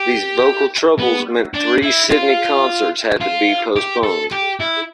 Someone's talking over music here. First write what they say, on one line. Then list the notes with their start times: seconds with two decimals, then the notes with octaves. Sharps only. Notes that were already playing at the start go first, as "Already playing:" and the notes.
These vocal troubles meant three Sydney concerts had to be postponed.
Already playing: G4
0.99 B3
1.54 D4
1.83 E4
2.10 F4
3.21 F4
3.76 G4
4.03 A4
4.32 G4
4.60 E4